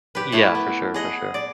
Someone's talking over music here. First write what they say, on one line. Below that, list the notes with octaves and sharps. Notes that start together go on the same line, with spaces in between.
Yeah, for sure, for sure.
G4 B4
A3 E4 A5
B3
G#4 D#5 F#5
D5